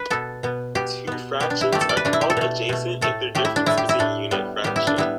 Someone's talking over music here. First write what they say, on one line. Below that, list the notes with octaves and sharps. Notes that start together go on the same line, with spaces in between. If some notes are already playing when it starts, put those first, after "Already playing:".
Two fractions are called adjacent if their difference is a unit fraction.
Already playing: B4
B2 B3 A4
B2 B3
B2 B3 G4
B2 B3
B2 B3 G4
D4
E4
B2 A3 G4
A4
D5
B4
B2 A3 D4
E4
G4
A4
B2 A3
B2 A3
A2 A3 A4
A2 A3 G4
E4
D4
A2 A3 E4
G4
E4
A2 A3 D4
A2 G3 B3
A2 G3 B3 G4
E4
D4
A2 G3 B3 E4